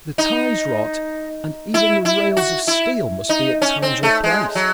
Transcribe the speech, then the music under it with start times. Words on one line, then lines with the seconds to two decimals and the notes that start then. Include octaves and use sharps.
The ties rot, and even the rails of steel must be at times replaced.
0.18 D#4
1.74 E4
2.05 E4
2.37 F#4
2.68 E4
3.29 D#4
3.62 C#4
3.82 C4
4.03 A3
4.24 G#3
4.55 F#3